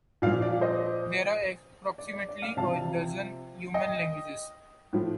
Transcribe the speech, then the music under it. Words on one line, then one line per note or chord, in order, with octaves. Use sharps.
There are approximately a dozen Yuman languages.
A#2 F3 D5 F5
D5
C5 D#5
D5
D5
D5
D5 F5
C3 F3 F5 A5
D#5 G5
A2 F3